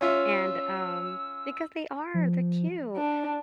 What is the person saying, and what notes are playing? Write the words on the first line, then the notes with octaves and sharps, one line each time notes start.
and um Because they are, they're cute,
C#4 F4 E5 E6
F3
D4